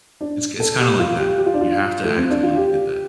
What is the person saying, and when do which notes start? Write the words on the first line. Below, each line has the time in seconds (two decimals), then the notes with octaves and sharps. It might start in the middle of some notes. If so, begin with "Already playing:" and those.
It's it's kinda like that; you have to actively get that.
0.21 D4
0.60 A4
0.79 G4
0.99 F4
1.19 G4
1.38 G4
1.46 F4
1.54 D4
1.61 F4
2.04 A3
2.17 C4
2.30 D4
2.43 F4
2.56 G4